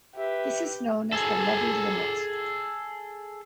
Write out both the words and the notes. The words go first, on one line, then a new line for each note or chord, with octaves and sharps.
This is known as the levy limit.
G4 B4 E5
G#4 A4